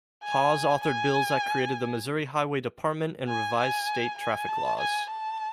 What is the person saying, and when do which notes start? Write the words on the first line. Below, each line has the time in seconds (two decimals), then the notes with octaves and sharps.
Hawes authored bills that created the Missouri Highway Department and revised state traffic laws.
0.24 G#5
0.84 G#5
3.28 G#5
3.58 G#5
4.18 G#5
4.49 A5
4.80 G#5
5.10 A5